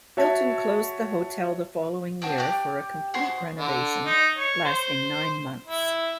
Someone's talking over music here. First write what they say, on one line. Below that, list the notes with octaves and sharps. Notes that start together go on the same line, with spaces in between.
Hilton closed the hotel the following year for a complete renovation, lasting nine months.
F#4 C#5 E5 A5
C4 D4 F#4
G4 D5 F#6
F#4 G#4 C5 C6
D3
D#4
C#5
C5
E4